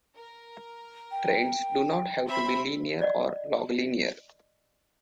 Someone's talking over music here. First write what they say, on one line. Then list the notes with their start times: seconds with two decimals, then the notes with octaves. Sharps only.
Trends do not have to be linear or log-linear.
0.15 A#4
1.11 G5
2.26 C4 E5 B5
3.01 D5 D#5 F#5